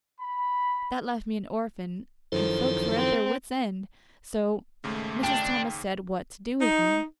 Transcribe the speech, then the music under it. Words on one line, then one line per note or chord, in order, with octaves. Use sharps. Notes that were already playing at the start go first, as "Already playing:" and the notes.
That left me an orphan and folks were at their wits' end, so Mrs. Thomas said, what to do with me.
B5
F#2 D#3 F3 E4 A4 C5
C4
D#2 G#2 C#3 A3
D4 G5
D#4